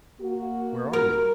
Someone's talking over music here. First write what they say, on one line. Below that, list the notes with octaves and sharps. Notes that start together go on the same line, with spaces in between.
"Where are you?"
A#3 F#4
A#4